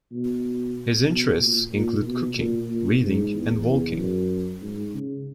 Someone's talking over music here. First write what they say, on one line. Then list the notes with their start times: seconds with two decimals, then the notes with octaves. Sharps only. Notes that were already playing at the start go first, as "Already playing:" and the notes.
His interests include cooking, reading, and walking.
0.12 B2
1.09 B2
1.40 A#2
1.73 A#2
2.05 B2
2.37 A#2
2.69 A#2
3.02 G#2
3.34 E2
3.66 E2
3.97 F#2
4.62 G#2
4.94 C#3